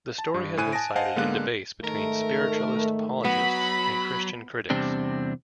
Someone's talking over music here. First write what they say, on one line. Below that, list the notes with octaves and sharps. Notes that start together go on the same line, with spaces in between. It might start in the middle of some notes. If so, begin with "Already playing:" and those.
The story has been cited in debates between Spiritualist apologists and Christian critics.
A5
G2
A2 E4 C5 G#5 F#6 D#7
G#5 A5 D#6 A#6 D7
C5 D#5 F5 F#5 G#5 A5
D3 G#3 A#3 B3 F5 F#6
G#2 D#3 A3 A#4
F#3 B3 B5
E2 C3 G3 C4 D4